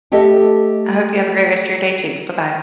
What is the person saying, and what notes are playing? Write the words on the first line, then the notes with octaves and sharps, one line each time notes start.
I hope you have a great rest of your day too, bye-bye.
A3 G4 A4 D#5 E5 A5